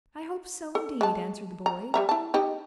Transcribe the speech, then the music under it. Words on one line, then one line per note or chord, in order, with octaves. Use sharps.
'I hope so, indeed,' answered the boy.
A4
G#3 A5
A#5
G3 E5 A#5
E4 A5
D#4 G4 D#5